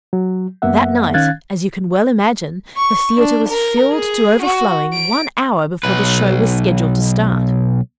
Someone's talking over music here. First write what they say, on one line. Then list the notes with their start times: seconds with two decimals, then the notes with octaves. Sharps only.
That night, as you can well imagine, the theater was filled to overflowing one hour before the show was scheduled to start.
0.13 F#3
0.62 F#2 A#3 B3 E5 F#5
1.14 D#3 C#4 F5 F#6 G#6 A6
2.77 C#6
3.18 D4
3.49 A#4
3.93 G#4
4.42 F#4
4.93 D7
5.84 B1 B4